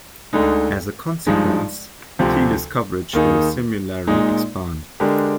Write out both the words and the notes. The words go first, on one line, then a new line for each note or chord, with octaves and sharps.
As a consequence, Telus' coverage will similarly expand.
D2 D3 G#3 D#4
G2 F3 G#3 D#4
D2 C3 F3 C4 G4
D#2 D#3 A#3 D#4 G#4
A#2 G#3 D#4
D3 G#3 D4 G4 A#4